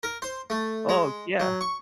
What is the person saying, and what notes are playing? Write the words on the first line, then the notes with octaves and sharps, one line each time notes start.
Oh, yeah.
A#4
C5
A3
G#3
F#3
C#6